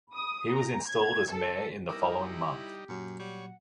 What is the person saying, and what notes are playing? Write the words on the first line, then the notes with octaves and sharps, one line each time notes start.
He was installed as mayor in the following month.
D#6
A#5
G#6
A4
G3 D#4 E4 A#4 D6 E6 A#6
G4
F#2 A#2 F#3
G3 C#5 F#5